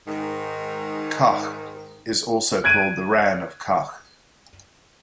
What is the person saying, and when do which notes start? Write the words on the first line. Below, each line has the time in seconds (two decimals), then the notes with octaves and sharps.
Kachh is also called Rann of Kachh.
0.07 G#2 D#3
2.64 F#6 G#6 D7 D#7